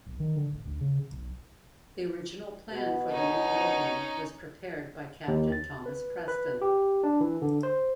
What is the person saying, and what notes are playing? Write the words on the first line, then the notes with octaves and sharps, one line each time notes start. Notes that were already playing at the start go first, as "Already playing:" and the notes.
The original plan for the new building was prepared by Captain Thomas Preston.
B1
D#3
D3
A1
D2
C#3
B1
B2
C#4 D#4
D#2
A6
B4
B4
G4
D4
E3
D3
C5